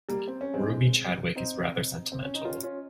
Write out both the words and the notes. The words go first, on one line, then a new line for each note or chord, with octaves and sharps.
Ruby Chadwick is rather sentimental.
G3 A#3
C4
C#4
G#3 C4
C4 D#4
C4
C#4
D#4
C#4 F4
C#4 F4